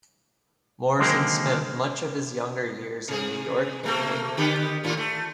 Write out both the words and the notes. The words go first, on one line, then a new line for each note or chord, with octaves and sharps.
Morison spent much of his younger years in New York and Maine.
D3 D#3 F#3 G#3 A#3 C4
C3 G#4
B2 A3 A#3
D3 B3 G4
D#2 A2 F4
A3